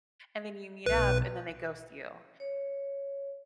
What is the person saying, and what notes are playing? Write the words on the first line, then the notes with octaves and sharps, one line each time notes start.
and then you meet up, and then they ghost you,
B1 B4
C#5